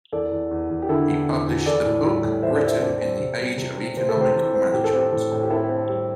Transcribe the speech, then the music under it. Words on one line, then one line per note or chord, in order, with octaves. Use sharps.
He published the book "Britain in the Age of Economic Management".
E2 A4 D5
E2
E2
E2
G4
D3 E4 A4
E2
E2
E2
E3 A4 D5
A2
G3
A2
E3 C5 E5
A4 D5
G3
C5 E5
C4 A4 D5
C4
C3
G3
C3
C3
C3 C5
A4
C3 G4 C5
E3
C4
A2 G4
A4
C4 G4
A2
A2
G4
C4 E4 A4
C4
G3